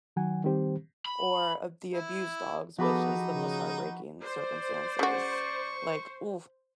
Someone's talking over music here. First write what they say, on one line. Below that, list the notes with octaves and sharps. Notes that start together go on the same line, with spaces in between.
Or the abused dogs, which is the most heartbreaking circumstances. Like, oof,
D#3 F#3 F#5 G#5
D#3 G3 C4 G4 C5
B5
E4
F3 B3 D#4 F#4 G#4 A4 B5 D6
C#3
C5 D5
C#3 F#4 C#6